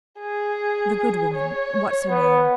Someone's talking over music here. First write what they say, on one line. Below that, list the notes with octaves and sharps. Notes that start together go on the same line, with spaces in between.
The good woman--what's her name?
G#4
C#5
B3